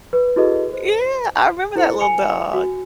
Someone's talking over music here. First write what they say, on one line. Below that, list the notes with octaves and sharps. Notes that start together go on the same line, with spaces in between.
yeah, I remember that little dog,
B4
E4 F#4 G#4 A4 B4 D#5
C5
E4 A4 C5 C#7
G#5 C#7 F7
F#4